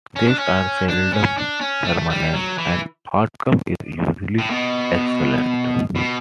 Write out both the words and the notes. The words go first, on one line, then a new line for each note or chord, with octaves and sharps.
These are seldom permanent, and outcome is usually excellent.
C#4
D4
C#4
D4
C#4
D4
C#4
A3
G3
F#3
E3
A2
B2
B2